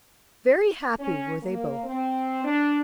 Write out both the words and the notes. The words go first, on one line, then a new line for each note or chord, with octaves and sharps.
Very happy were they both.
C#4
A#3
C4
D4